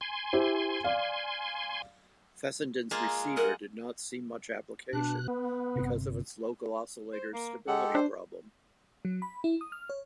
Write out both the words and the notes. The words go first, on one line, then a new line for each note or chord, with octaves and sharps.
Fessenden's receiver did not see much application because of its local oscillator's stability problem.
G#5 C6
E4 G4 C5
D5 F5
G#3 A#3 F4
A#4 D#5 F#5
B2 D4 F#6
B3 B4
G1 C3
C5
A#3
G#3 G4 A4 F#5
D4 C5
F#3
B5
E4
D#6
F6
C#5